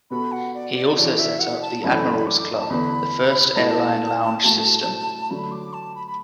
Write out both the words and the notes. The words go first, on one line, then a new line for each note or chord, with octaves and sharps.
He also set up the Admirals Club, the first airline lounge system.
B2 B3 F#4 A4 B5
F#5
D5
D5
E3 D4 F#4 A4 D5
D5
E5
F#5
A5
F#2 E3 A3 D4 A4 B5
D6
A5
E2 D3 B3 B5
A2 A3 E4 A4 A5
A2 A3 F#4 A4
D3 F#3 A3 B5
D6
A5
B5
B5